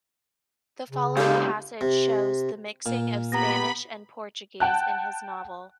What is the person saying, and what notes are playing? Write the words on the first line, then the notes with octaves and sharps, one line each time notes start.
The following passage shows the mixing of Spanish and Portuguese in his novel.
C#3
G#2 D3 G4 A4 F5
C3
A#2
B3 G4 A#5 B5 A#6
F#5 G5 A5 F#6